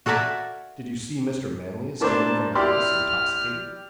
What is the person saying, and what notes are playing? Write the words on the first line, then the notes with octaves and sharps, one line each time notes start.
"Did you see Mr. Manlius coming from the house intoxicated?"
F#4 A4 A#4 D5 E5 G#5
A2 D4 A#4 C5 A5 D6
E4 G4 D5 C6 F6